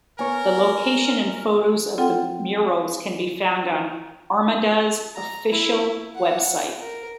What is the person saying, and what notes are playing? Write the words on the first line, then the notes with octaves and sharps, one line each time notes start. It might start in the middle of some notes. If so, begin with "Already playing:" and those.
The location and photos of murals can be found on Armada's official website.
B3 A#4 C#5 G#5 C#6
C4 F4 A4 F#5 G5
A#5
E4
F#5
A#4